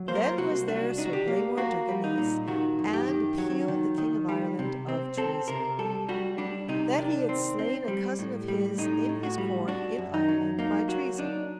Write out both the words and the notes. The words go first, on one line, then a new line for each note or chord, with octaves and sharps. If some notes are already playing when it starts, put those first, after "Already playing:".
Then was there Sir Blamore de Ganis, and appealed the King of Ireland of treason, that he had slain a cousin of his in his court in Ireland by treason.
Already playing: F#3
A#3 C5
A#4
C5
C2 F#4
D4 F#4
D4 D#4
F#4
G4
A#3
A#3 F#4
G3
D#4
A#2
D#3 F#4
F#2
G4
D#3
F#3
D#3
D#3
G3
C3
C4
C4 A4
C3 A#4
G3 A4
G3 F#4
G3 D4
C3 D#4
D#3 D4
C4
C4
G3
A2
G3
A2 D#4
A2
F#4
G3
D4 F#4
F#2
D#4
F#3
A#3 D#4
F#3 F#4
D4 D#4